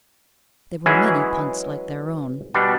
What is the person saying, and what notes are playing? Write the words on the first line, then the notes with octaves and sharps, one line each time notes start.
There were many punts like their own.
E3 F#3 G#3 C#4 E4 G#4
B2 G3 D4